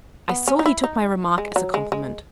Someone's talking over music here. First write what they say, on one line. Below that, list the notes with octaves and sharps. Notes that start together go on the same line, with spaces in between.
I saw he took my remark as a compliment.
B3
C#4
D#4
E4
D#4
G#3
F#3
G#3
G#3